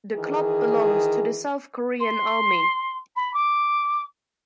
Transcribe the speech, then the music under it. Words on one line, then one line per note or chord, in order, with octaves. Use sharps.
The club belongs to the South Korean Army.
D#3 E3 G#4
C6
B5
D6